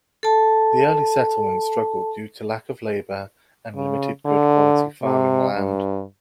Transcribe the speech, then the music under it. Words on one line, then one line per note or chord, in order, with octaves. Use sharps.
The early settlement struggled due to lack of labour and limited good-quality farming land.
A4 A5
C#3
D3
C3
G2